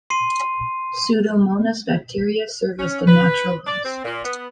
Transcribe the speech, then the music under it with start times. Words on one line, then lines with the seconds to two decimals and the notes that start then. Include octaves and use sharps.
Pseudomonas bacteria serve as the natural host.
0.10 C6 C7 D#7
2.79 C#4
3.08 B4
3.67 D5
3.85 C4
4.05 A#2
4.25 B3